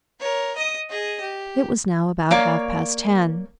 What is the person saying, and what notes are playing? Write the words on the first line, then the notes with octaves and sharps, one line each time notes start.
It was now about half-past ten.
A#4 C#5
D#5 D#6
G#4 D#5
G4
A#3 C#5 D5 F5